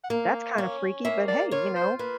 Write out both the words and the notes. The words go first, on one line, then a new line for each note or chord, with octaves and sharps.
that's kinda freaky, but hey, you know,
F#5
A#3 F5
C#4
A#3 E5
D5
F4 C#5
C5
A#3 B4